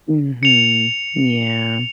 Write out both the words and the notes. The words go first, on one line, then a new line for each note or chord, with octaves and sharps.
Mhm. Yeah.
C#7 F7